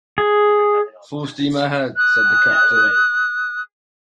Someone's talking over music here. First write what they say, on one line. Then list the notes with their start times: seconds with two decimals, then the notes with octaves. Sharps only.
"Full steam ahead," said the captain.
0.18 G#4
1.97 D#6 F#6